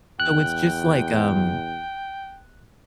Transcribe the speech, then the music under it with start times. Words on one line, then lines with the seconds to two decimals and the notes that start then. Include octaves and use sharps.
So it's just, like, um
0.20 E2 G5 F#6